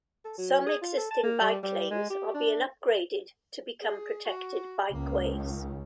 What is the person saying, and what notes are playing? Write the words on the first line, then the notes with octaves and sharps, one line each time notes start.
Some existing bike lanes are being upgraded to become protected bikeways.
A4
F#3
G#4
F4
A4
A5
A#3
G3
G3
G#3
G4
D4
G#4
F#4
C#2 A#3
D#3 D#4 F5